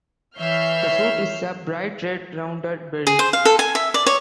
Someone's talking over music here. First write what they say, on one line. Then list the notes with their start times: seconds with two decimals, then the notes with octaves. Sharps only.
The fruit is a bright red rounded berry.
0.38 E3 C#5 E5 F6 G6 C7
3.07 G#4
3.19 C5
3.33 F5
3.45 A4
3.59 G#5
3.75 E5
3.94 D5
4.06 C#5